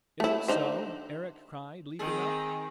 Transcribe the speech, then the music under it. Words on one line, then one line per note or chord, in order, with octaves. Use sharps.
"Is it so?" Eric cried, leaping up.
A3 E4
D3 D#4 C5
D#3 C4 G#4